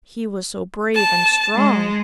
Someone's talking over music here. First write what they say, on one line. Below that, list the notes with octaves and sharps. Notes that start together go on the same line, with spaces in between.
He was so brave and strong!
A5
G#3